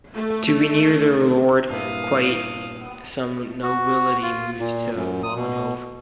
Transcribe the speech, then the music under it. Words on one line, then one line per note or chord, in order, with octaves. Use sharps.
To be near their lord, quite some nobility moved to Vollenhove.
A3
G2 A#2 E4 F5 D#6
F#4
F4
A#2
F#2
D#6
B2